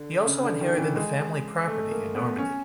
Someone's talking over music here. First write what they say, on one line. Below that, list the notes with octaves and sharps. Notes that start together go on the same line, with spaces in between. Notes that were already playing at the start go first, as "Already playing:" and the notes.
He also inherited the family property in Normandy.
Already playing: D3
C#3
D3
D#3
E3
G#3
A3
A#3
B3
C#4